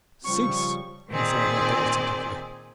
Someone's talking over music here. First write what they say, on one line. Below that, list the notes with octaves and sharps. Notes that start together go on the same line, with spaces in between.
"Cease!" he said authoritatively.
C#3 F3 G3 C#6
A#2 D#3 C4 G#4 D5